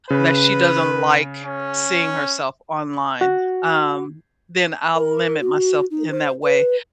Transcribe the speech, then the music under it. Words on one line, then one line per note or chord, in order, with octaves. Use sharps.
that she doesn't like seeing herself online, um, then I'll limit myself in that way,
C#3 B4
C#4
F#4
A#4
F#4
D#4
C5
B4